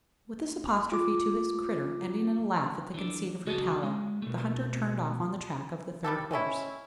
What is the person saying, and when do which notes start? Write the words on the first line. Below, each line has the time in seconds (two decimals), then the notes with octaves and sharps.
With this apostrophe to his "critter," ending in a laugh at the conceit of her "tallow," the hunter turned off on the track of the third horse.
0.92 F4 D6
2.94 E3 D4
3.45 C#2 F#4 C5 D#5 A5
3.83 G#3
4.22 B2 A3
6.04 G3 G4 A4
6.31 G#3 C4 C#4 E4